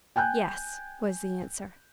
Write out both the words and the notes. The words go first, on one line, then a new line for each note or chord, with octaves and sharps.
"Yes," was the answer.
G5 G#5 F#6 G6